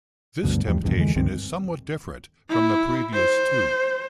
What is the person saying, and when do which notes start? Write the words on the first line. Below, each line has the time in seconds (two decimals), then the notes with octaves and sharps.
This temptation is somewhat different from the previous two.
0.43 F#1 D2 G2 B2
0.67 E2 F3 G3 A3
0.83 A#1 E2 G2 B2
0.96 F2 D3 E3 G#3
1.16 C#2 G2 D#3 C4
2.50 E4
3.13 C5